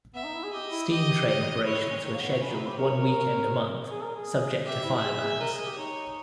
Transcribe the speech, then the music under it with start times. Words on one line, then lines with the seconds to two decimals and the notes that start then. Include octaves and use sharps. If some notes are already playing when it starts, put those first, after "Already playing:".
Steam train operations were scheduled one weekend a month subject to fire bans.
0.15 B3 E5
0.24 D#4
0.34 E4
0.44 G#4
0.53 G4 D#5
0.71 E4
0.90 G4 D#5
1.28 D#5
1.65 E4 C#5
1.77 E4
1.90 C#4
1.96 E3
2.03 D#3 C#5
2.13 A#3
2.21 B3
2.40 C#4 B4
2.50 D#4
2.59 E4
2.68 G4
2.78 A#4 C#5
2.97 A#4
3.91 G#4
4.03 A#4
4.16 G#4
4.66 G4 E5
4.84 E4
5.03 G#4
5.21 G#4
5.40 A#4 D#5
5.53 G#4
5.65 G4
5.78 D#4 C#5